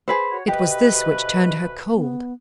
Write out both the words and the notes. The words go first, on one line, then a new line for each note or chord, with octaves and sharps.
It was this which turned her cold.
G#4 B4 C5
F#4 C#5
D2 B2 G4 B4 D#5
B3